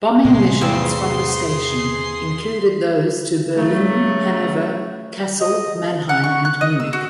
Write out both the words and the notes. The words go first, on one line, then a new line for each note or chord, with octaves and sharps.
Bombing missions from the station included those to Berlin, Hanover, Kassel, Mannheim and Munich.
A2 C3 G#3 C6 C7
E2 C4 G#4 F5
C#3 F#3 A3
D#5
F#5
C#6
F#6
D#5
E6
F#4